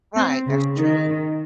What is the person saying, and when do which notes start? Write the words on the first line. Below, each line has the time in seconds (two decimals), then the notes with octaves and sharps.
Right, that's true.
0.18 C4
0.47 C#3
0.77 D#3